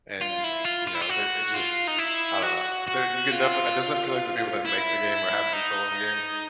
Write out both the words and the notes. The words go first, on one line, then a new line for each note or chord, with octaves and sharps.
And, you know, they it just I don't know, there you can defi it doesn't feel like the people that make the game or have control of the game
F4
E4
F4
F4
E4
F4
F#4
F4
D#4
E4
F#4
F#4
F4
E4
D#4